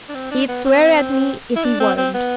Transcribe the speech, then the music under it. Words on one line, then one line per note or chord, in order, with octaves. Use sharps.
'He'd swear at me if he weren't.
D4
C4
D4
B3
C4
E4
D4
C4
C4
B3